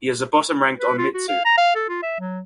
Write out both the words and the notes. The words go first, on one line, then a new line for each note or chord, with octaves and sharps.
He is a bottom-ranked onmitsu.
B4
F4
F#4
F5
A#5
F5
A4
F4
E5
F#3